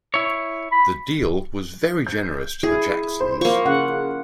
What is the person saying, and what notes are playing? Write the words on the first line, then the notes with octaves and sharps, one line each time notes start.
The deal was very generous to the Jacksons.
E4 C#5
B5
G6
E4 G#4
C5
A#3 F4 C#6
C#3 F#5